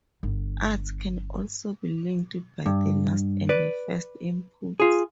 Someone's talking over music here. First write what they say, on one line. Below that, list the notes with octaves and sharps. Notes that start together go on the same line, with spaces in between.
Arts can also be linked by the last and first inputs.
G1
G2
B4 D5
F4 G#4